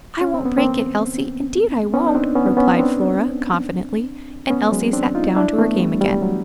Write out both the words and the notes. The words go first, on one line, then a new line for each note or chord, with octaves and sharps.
"I won't break it, Elsie, indeed I won't," replied Flora, confidently; and Elsie sat down to her game again.
C#4
C4
B3
A#3 C4
B3 C#4
D#4
C4 D4
B3 C#4
B3 C#4
C4 D4
B3 C#4
F#3 G#3
C4 D4
D#4 F4
D4 E4
A3 B3
G3
G3
F#3